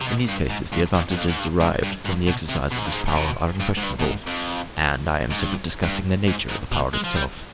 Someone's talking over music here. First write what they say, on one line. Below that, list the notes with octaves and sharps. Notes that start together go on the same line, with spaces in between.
In these cases the advantages derived from the exercise of this power are unquestionable, and I am simply discussing the nature of the power itself.
C3
B2
G2
G#2
G2
F2
G2
F2
G#2
G2
G#2
G2
G2
B2
C3
B2
G#2
G2
G#2
G#2
B2
G2
G#2
G2
B2
G#2
F2
G#2
G2
G2
G#2
G#2
B2
G#3
F3
G3